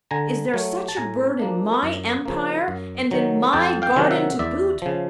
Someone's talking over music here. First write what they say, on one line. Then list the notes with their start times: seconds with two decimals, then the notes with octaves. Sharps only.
Is there such a bird in my empire, and in my garden to boot?
0.11 D3 G#5 A#5
0.54 F#3 A3
0.88 A5
0.97 A2 G#5 A#5
1.39 F3 A#3 D4
1.83 F#2
2.25 C#3 F3 A#3
2.68 F#2
3.11 D#3 F#3
3.53 F2 G5 A5
3.82 F5 G5
3.96 C3 D#3 F#3
4.11 E5 F#5
4.39 E2 D5 E5
4.82 C#3 F3